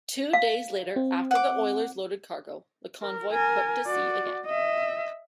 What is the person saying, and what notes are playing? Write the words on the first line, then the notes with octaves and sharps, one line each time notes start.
Two days later after the oilers loaded cargo, the convoy put to sea again.
F5
C4
F#5 D6
A#4
A#4 G#5
F#4 D5
D#5 E5